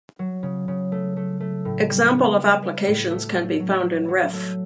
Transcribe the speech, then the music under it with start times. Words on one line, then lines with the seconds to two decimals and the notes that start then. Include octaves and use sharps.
Example of applications can be found in Ref.
0.19 F#3
0.43 C#3
0.68 C#3
0.92 A3
1.17 A3
1.40 A3
1.65 A2
1.90 G3
2.14 B3
2.38 B3
2.62 B3
2.87 A2
3.11 A3
3.35 F#3
3.60 F#3
3.84 F#3
4.08 F#3
4.33 A3